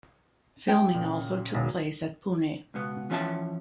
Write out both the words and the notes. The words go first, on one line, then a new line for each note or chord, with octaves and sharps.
Filming also took place at Pune.
G5
A#2 C#3
E1 B1 D#3
C#2 B2 B3
E3 F3 C#4 G#4 E5 A5